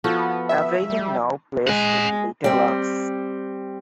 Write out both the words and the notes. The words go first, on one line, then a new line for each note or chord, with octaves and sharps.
Aveling now plays in Littl'ans.
F3 B3 F#4 A4
E5
G3
G#3 D#5 F#5
G3 C4